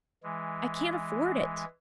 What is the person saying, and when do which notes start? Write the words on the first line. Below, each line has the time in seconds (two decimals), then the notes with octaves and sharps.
I can't afford it.
0.23 E3 G#3